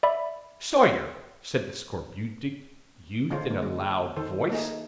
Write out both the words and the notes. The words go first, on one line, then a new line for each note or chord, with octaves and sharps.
'Sawyer,' said the scorbutic youth, in a loud voice.
D5 E5 B5
D3 G#3 F4 C5 C#5
A#3
G#3
D#3 A4 C5
A3 A#3 D#4 G#4